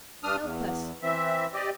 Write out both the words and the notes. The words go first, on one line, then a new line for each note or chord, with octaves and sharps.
Help us.
G2 D4 D#6 F6
E2
E3 C4 E5
G4 D5 D#5